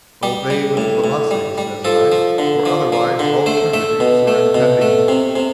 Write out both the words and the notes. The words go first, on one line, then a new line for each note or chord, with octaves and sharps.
Obey with velocity,' says I, 'for otherwise alternatives are impending.
G3 G4
G3
A2
A2
G3
G3
F3 A4
F3
D3
F3
F3
D3
A3 C5
A3 E5
B2
A3
B2
A3
C3
C3